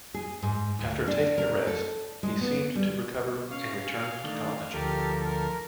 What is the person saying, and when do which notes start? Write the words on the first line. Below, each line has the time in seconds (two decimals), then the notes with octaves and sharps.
After taking a rest, he seemed to recover and returned to college.
0.14 G#4
0.42 G#2
0.79 D2
1.08 D4
1.38 A#4
1.67 A4
2.23 G#3
2.41 B3
2.76 G3
3.51 C#4 F5
3.86 G#5
4.24 D#3 A3 D4
4.74 D2 F3 G4 A4 A#4
5.25 A#4